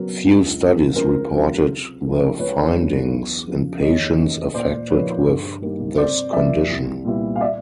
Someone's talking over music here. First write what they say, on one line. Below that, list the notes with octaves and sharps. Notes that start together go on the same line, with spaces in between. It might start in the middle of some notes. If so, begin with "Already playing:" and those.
Few studies reported the findings in patients affected with this condition.
Already playing: C#3 F#3 B3 A#4
C#2
C#3 F3
C#2 A#4 C5
C#3 F#3
C3
F3 A3 C#4
C#2 B4 C#5
C#3 F#3 B3 D4
E2
C#3 F3
D#2 C#5 D#5
C#3 E3
A#2 C5 D5
F3 A#3 D#4 B4 C#5
G2
D#3 G3 A#3
C3 C5 D5
F3 A#3 D5 E5
C2
A#2 G3 B3 E4
F5
D5 E5